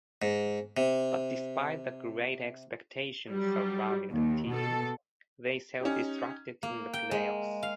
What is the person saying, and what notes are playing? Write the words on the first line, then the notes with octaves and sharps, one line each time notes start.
But despite the great expectations surrounding the team, they self-destructed in the playoffs.
G#2
C3
F#3 G3
D#2
B2 A4
C#4 D#4 G4
A#3
G5
G#3
F5